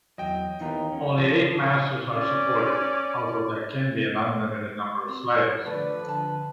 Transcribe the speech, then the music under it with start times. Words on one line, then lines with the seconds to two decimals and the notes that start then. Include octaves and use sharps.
Only eight masters are supported, although there can be an unlimited number of slaves.
0.18 E2 F#3 D#5 G5
0.61 D#2 D#3 E3 B3 D#4 F4
0.93 F#3 C#4
1.18 F3
2.09 C#4 D5
5.08 C4
5.63 D3 F3 A3 B4 D5
6.08 A5